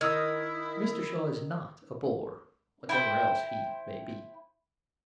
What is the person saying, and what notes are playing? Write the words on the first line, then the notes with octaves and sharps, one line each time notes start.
Mr. Shaw is not a bore, whatever else he may be.
D#3 E4 D#6 E6 G#6
E4 C5 G5